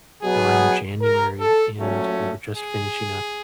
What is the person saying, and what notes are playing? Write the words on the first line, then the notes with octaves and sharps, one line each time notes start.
around January, and we were just finishing up,
B2 F#3 B3 G#4
A#4
A4
A#2 F#3 A3 C#4
G#4